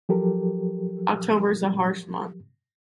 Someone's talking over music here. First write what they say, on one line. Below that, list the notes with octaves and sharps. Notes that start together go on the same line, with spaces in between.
Octobers a harsh month.
F3 F#3 G4 A4 A#4